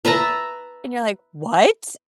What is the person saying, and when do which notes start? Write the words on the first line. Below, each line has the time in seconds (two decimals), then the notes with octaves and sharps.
And you're like, "What?"
0.05 B4 E5 A5 A#5